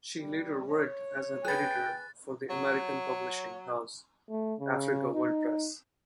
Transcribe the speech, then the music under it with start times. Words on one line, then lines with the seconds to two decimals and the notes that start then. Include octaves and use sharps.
She later worked as an editor for the American publishing house Africa World Press.
0.20 G3
0.69 C#5
1.45 G#4 B4 G5 F#6 A6
2.50 F#3 C#5
4.30 A3
4.60 C#3
5.14 D#4